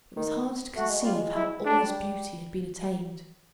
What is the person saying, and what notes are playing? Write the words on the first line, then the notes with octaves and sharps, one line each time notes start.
It was hard to conceive how all this beauty had been attained.
D#3
A3 F#4
G#3
G3 F4
G#3
E4
G3 D4
F#3
G3